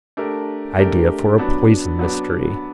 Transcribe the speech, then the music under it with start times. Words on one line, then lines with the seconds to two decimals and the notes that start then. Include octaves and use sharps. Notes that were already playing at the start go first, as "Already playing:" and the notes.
Idea for a poison mystery.
0.17 A3 D4 G4 A#4
0.78 A3 D4 G4 A#4
1.38 F#3 B3 D4
1.99 F#3 B3 D4